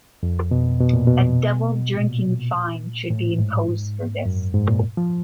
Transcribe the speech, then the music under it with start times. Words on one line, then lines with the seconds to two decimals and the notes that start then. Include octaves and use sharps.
A double drinking fine should be imposed for this.
0.23 F2
0.51 B2
0.80 B2
0.93 A#2
1.07 B2
1.95 A#2
3.10 A2
3.38 G#2
4.26 F#2
4.54 G#2
4.68 A#2
4.97 F3